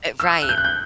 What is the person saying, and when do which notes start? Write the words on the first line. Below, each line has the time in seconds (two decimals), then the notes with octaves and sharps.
Uh, right.
0.20 E6
0.42 F#6
0.49 G6
0.58 F#6
0.64 G6